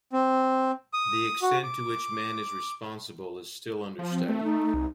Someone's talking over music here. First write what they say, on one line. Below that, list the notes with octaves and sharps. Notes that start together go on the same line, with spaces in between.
The extent to which man is responsible is still under study.
C4
D#6
F#4
D6
F3
C4
A3
D#4
C2